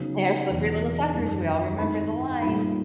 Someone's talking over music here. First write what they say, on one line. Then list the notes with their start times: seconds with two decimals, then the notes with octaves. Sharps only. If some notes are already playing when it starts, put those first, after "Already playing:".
They are slippery little suckers. We all remember the line.
Already playing: C#3 F#3 B3 D#4
0.50 E2 B2 F#3
1.14 F#2 D#3 G#3
1.78 G#2 D#3 G#3 C4 E4 B5
2.42 A#2 G3 C4 D#4 B5